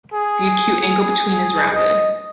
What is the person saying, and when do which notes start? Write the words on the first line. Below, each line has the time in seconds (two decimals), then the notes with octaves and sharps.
The acute angle between is rounded.
0.14 G#4
1.73 D#5